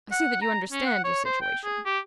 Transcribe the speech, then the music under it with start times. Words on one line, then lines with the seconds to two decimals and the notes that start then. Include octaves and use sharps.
I see that you understand your situation.
0.11 F#5
0.42 A#5
0.72 C#4
0.86 F#5
1.04 C#5
1.25 C5
1.41 G5
1.64 G#4
1.86 G4